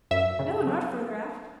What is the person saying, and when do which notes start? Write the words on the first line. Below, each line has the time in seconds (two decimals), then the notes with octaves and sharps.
"No, not further aft."
0.11 F#2 E5
0.39 C#3
0.67 F#3